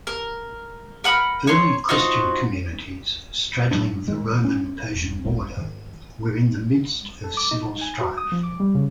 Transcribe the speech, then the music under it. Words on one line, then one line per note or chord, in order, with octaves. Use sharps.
Early Christian communities straddling the Roman-Persian border were in the midst of civil strife.
A#4
A#4 F#5 B5 F6
C#5 A#5 C6
D#4 F4 F#4 C5
A2 F#3 G#3 D4
D#3 G#3
C#4
E1
D#1 G#1 G#3
G#2 D#3
A4
D6
D#4
G#5
F#4
D#6
F3
D6
G3
C#3